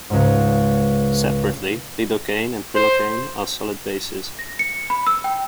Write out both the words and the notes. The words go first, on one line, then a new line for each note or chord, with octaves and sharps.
Separately, lidocaine and prilocaine are solid bases.
C#2 G#2
C5
A#6
C#7
B5
E6
G5